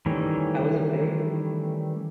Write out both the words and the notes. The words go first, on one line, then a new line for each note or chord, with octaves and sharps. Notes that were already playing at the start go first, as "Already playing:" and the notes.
I was a very,
D#3 E3 G3 A3 C#4